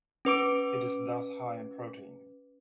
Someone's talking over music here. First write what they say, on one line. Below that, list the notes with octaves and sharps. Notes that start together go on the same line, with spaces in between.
It is thus high in protein.
C#4 B4 D6 D7